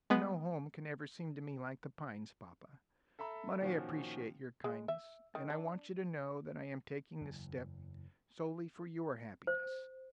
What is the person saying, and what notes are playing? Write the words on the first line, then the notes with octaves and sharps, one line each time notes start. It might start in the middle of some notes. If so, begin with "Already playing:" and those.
"No home can ever seem to me like The Pines, papa, but I appreciate your kindness, and I want you to know that I am taking this step solely for your happiness."
G#3 B3
A4 E5 A#5 B5
A#2 D#3 F3 C#4 F#4
G#3
E5
D#3
D4
F#1 E2
C5